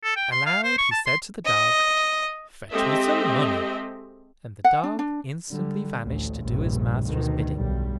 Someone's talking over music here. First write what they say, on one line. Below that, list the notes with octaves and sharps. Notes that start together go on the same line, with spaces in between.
Aloud he said to the dog, "Fetch me some money," and the dog instantly vanished to do his master's bidding.
A4
G5
C6
F5
C5
C#6
A5
C6
D#5
G#3 C4 G4 A4 D#5 E5
F#5
D4
D4
D3 G3
A1 D2
F1 A#1 G2
D2 B2 D#3
B1 G2 G3